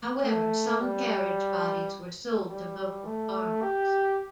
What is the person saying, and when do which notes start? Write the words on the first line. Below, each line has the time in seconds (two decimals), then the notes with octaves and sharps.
However, some carriage bodies were sold to local farmers.
0.23 A3
0.79 G3
2.48 G3
3.05 A3
3.62 G4